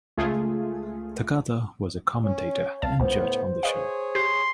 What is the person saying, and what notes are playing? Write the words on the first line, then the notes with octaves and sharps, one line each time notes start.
Takata was a commentator and judge on the show.
C#2 A3 F4 G#4
C#4 C#5
C2 F5 A5
C#2 A2 B3 C5
G#4 B4 C#5 D#5 F5
G4 C6